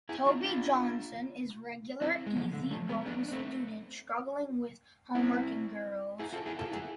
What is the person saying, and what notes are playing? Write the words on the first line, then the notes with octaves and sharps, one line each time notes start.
Toby Johnson is regular easy-going student struggling with homework and girls.
E4 G#4
D4 F4
D4 F4
C4 E4
G#3
D3 F3
D3
F3 A3
G#3 B3
B3 D4
D4
A3 C4
C4 E4
E4 G#4
F4 A4
E4 G#4
F4 A4
E4 G#4